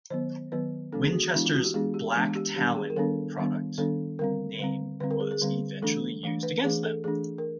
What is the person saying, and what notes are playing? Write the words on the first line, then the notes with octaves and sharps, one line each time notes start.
Winchester's "Black Talon" product name was eventually used against them.
D#3 F#3 B3 C5
D#3 F#3 B3 B4
E3 G#3 B3 D4 A4
G#4
F#4
F#4
E3 G#3 B3 D4 E4
F4
F#4
G4
E3 G#3 B3 D4 G#4
G4
E3 G#3 B3 D4
G4
D#3 G3 B3 D4 G4
G#4
A#4
D#3 G3 B3 D4 A4
D#3 G3 B3 D4
D#3 G3 B3 D4 A4
D3 G3 C4 A#4
D3 G3 C4
D3 G3 C4 B4
A#4
G#4
G#4
D3 G3 C4
E3 A3 D4 A4
E3 A3 D4
B4
E3 A3 D4 G#4
A4
E3 A3 D4 G#4
A#4